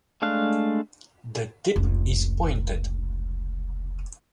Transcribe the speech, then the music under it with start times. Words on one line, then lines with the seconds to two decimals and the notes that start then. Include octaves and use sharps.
The tip is pointed.
0.22 G#3 A3 D4 F5 F#6
1.76 F1 C#2